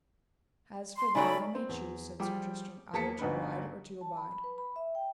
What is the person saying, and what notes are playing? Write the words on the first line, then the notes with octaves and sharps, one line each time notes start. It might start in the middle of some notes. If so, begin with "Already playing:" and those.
As for that I may choose, said Sir Tristram, either to ride or to abide.
C6
C#3 F#3 A3 D#4 D5 B5
C4
E2
F3 G3 G#4 G5 D6
E2 A#3 G#4 A5 B6 C#7
G1 D2 D#4 B4
A5
B5
B5
B4
B5
E5
G5